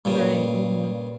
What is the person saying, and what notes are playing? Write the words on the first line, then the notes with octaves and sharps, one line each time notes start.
Right, mhm.
G2 A#2 C#3